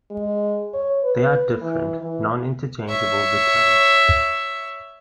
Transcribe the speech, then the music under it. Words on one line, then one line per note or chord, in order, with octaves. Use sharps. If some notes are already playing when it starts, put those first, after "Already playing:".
They are different, non-interchangeable the terms.
G#3
C#5
B4
E3
E3
C#5 E5